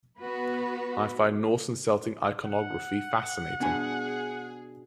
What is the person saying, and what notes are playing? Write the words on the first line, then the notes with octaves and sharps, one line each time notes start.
I find Norse and Celtic iconography fascinating.
B3 F#4 B4
F#5
B2 D4 G#4 G#5